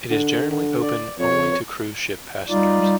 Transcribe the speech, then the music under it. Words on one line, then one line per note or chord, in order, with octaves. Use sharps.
It is generally open only to cruise ship passengers.
D3
D3
D5
F2 C#5
G3 D#4 F4 D5
G3